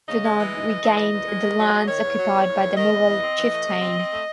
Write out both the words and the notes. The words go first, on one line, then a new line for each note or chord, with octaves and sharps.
Venad regained the lands occupied by the Mughal chieftain.
C#3 D#5
G#3
E3
G#3
E3
E3
E2 D#5
E2
G#3
D#3
F#3
F#3
D#3 C#5
E2
F#3
E2
E2
E2
D#3 D#5
E2
E2
C4
E3
A3
C3
C4
C4
A3